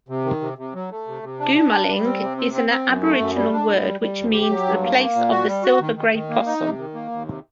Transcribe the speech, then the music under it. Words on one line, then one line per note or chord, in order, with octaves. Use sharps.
Goomalling is an Aboriginal word which means "the place of the silver-grey possum".
C3
D#3
C3
C3
F#3
A3
C3
C3
D4
D4
G3
G3
C4
C3
C4
C4
C4
F#2
A3
F#2
G3
D4
A2
G3
G3
D2
G4
F#3
G2
A#3
A#3
A#2
F#4
G3
F#4
D#3
D#3
D#3
A#3
D#4
C3
D#3
A#3
D#2
C3